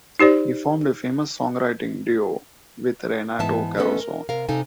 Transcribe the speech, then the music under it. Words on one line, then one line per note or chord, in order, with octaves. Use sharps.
He formed a famous songwriting duo with Renato Carosone.
D#4 G4 C5 D5
G#2 E3 B3 D#4 E5 A5
A3 B3 C#4 A4 B4 D#5
A#4
C3 A#4 F5
C3 D#4 A4 F5 G#5